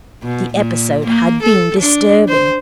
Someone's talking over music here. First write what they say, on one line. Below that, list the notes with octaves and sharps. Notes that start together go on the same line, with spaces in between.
The episode had been disturbing.
B2
A#2
A#3
A4
D4
C5